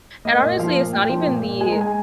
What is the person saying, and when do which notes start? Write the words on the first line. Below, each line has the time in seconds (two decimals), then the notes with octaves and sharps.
and, honestly, it's not even the
0.25 A#3 D#5
0.42 A#2
0.59 F3 F5
0.76 A#2
0.93 A#2 G5
1.09 F3
1.27 A#2
1.44 A#2
1.60 G#3 G#5
1.72 A#5
1.77 G#3 G#5